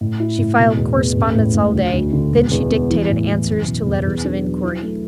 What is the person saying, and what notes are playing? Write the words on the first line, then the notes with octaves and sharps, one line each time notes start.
She filed correspondence all day; then she dictated answers to letters of inquiry.
A2
E4
A2
B2
E2
E2
A1
A2
A2
D2
D2
D3
E1
E2
B3
E3
A2
E3
F#1
B2
E2
E2
D4
F#3
E4
A3